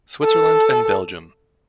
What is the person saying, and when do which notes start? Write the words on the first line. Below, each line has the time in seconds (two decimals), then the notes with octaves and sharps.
Switzerland and Belgium.
0.24 A4